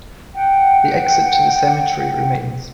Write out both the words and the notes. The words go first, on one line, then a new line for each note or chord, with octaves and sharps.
The exit to the cemetery remains.
F#5 G5